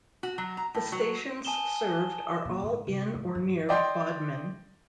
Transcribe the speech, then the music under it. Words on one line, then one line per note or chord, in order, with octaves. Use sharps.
The stations served are all in or near Bodmin.
F#4
F#3
A#5
A2
F#3
G#5 A5 D#6 E7 G7
A#2
G#2
C3
G#2
G2
D5 D#5 G5 C6